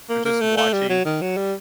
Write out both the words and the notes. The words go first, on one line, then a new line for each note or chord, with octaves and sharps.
They're just watching
A#3
A#3
A3
A3
G3
F#3
D#3
F#3
G3